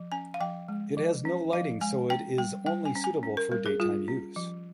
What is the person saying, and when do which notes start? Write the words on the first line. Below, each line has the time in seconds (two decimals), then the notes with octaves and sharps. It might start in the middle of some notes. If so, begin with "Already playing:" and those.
It has no lighting so it is only suitable for daytime use.
Already playing: F3
0.12 C#4 G#5
0.34 F5
0.40 F3 G5
0.68 G#3
0.97 F3
1.25 C#4
1.53 F3 F5
1.81 G#3 G#5
2.10 C#4 G5
2.38 G3 G5
2.66 G3 G5
2.85 G#5
2.95 C#4
3.04 G#5
3.23 C#4
3.37 A#4
3.52 G3 A#4
3.66 G#4
3.80 G3 F4
4.08 C#4
4.36 F3